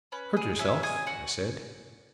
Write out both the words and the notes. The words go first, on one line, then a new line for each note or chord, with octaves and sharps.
"Hurt yourself?" I said.
C#4 B4
G#4
C#4 E5
G#4 G#5
F#4 F#5